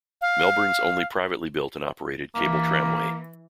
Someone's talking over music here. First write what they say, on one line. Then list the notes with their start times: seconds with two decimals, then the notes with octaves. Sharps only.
Melbourne's only privately built and operated cable tramway.
0.21 F5
2.35 E3 A#3